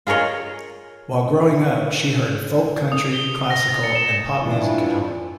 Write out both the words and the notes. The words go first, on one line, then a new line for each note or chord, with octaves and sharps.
While growing up, she heard folk-country, classical, and pop music at home.
F4 G#4 A#4 C#5 D#5
D#6
G7
D#6
A#6
A6
C#7
E7
E3 G3 D4 E4 F4